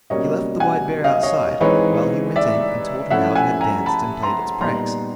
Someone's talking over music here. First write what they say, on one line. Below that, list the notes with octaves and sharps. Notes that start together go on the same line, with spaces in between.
He left the white bear outside while he went in and told her how it had danced and played its pranks.
B2 G3 A#3 C#4 C#5 D#5
F#5 G#5
D#5 F5
C#5 D#5
E3 G#3 C4 D#4 B4 C#5
D5 E5
F3 A3 C#4 E4 E5 F#5
F#5 G#5
G#5 A#5
A5 B5
A#5 C6
A#2 G3 B3 D#4 A#5 C6